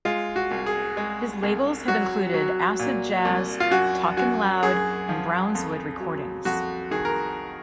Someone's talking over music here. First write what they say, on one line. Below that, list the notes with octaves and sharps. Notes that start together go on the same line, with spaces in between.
His labels have included Acid Jazz, Talkin' Loud, and Brownswood Recordings.
G#3 F4
F#4
C2
G#4
G#3
C2
F#3 F#4
F#3
A#2
C2
F4
F#2 F#4
F#2 F#4
F#2 G#4
F3
F2
F#3
F2 F#4
D#3 G#4
A#4